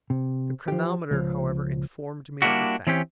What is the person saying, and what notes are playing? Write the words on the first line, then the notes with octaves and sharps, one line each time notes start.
The chronometer, however, informed me of the fact.
C3
F3 G4
C#2 F3
G3 A#3 C4 D4 E4 F#4
E3 C4 C#4 G4